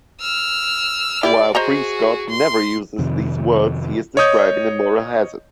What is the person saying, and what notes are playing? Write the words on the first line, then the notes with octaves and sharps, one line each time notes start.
While Prescott never uses these words he is describing a moral hazard.
E6 F6
E4 G4 D5
F#4 G#4 C5 D#5 A#5
C6
F2 C3 D#3
C#5 D#5 D#6 G6